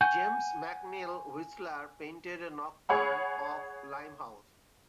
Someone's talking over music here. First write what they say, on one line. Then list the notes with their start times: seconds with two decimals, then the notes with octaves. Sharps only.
James McNeill Whistler painted a "Nocturne of Limehouse".
0.01 F#5 G#5 C#6 G6
2.89 G#4 C#5 F#5 B5